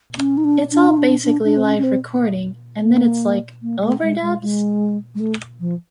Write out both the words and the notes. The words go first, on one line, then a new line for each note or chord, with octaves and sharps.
It's all basically live recording, and then it's like, 'Overdubs?
C#4
D#4
D4
D4
D#4
D4
D4
D4
C4
C#4
C#4
C4
A#3
A#3
A3
G#3
G#3
G#3
G#3
A3
F3